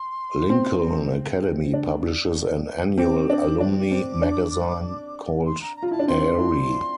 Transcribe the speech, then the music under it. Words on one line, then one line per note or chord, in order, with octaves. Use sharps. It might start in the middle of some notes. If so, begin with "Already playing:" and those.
Lincoln Academy publishes an annual alumni magazine called Aerie.
Already playing: C6
C4
D4
C4 D6
D4 D6
D4 D6
C4
D4
C6
A#5
A#5
F4
A#5
E4 A5
D4
C4 C6
E4